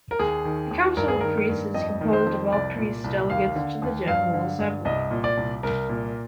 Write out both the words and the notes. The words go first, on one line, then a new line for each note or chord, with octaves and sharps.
The Council of Priests is composed of all priest-delegates to the General Assembly.
A#4
D#2 G#4
D#3
D#2
G2 A#4
G#4
D#3 A#4
G2
F2 D#5
D#3
C5
F2
C2 D5
A#2
C2
D#2 F5
D3
D#2
G2 F5
D3
G2
C2 D#5
A#2
D5
C2
C2 A#4
A#2